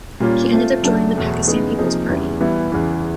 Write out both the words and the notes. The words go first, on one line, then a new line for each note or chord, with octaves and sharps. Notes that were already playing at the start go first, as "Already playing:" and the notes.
He ended up joining the Pakistan Peoples Party.
A#2 G3 A#3 C#4 F4
A3 C4 F4
F#2 C#3 F#3 A3 D4
E2 B2 F#3 A3
C#3 E3 G#3 B3 D#4
C3 F3 A#3 D#4 G#4
E2 C#3 E3 G3
E3 G3 B3 E4
E2 C#3 E3